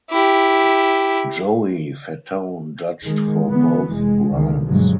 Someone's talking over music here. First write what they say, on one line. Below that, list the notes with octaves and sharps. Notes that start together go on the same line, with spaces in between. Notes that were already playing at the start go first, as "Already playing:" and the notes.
Joey Fatone judged for both rounds.
E4 G4
D#3 G#3
D3 E3 B3
F1 G#3
C#2 B2 D3 D#3 G#3
G2 B2 D3 F3 F#3 G#3